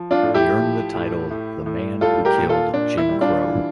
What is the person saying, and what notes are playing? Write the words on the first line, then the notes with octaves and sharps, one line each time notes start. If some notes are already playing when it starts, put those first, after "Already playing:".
He earned the title "The Man Who Killed Jim Crow".
Already playing: F3
D4 F4
A2
E4 G4
F3
A2
A2
A2
G3 F4 A4
G4 A#4
A#2
F4 A4
A#2 D4
E4
G3
D4 F4
E3